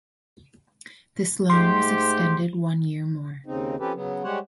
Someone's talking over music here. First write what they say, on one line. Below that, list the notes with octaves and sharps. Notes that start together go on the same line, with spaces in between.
This loan was extended one year more.
G#2 A3 G4 C6
D#2 C#3 C4 D#4
F3 C4 C#4 G4 A4 B4
C#3 F#3 B3
G3 G#3 G4 C5 C#5 F#5